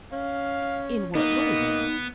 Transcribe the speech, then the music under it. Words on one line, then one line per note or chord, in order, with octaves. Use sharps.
"In what way then?"
C#4 F5
A#3 B3 D#4 D#5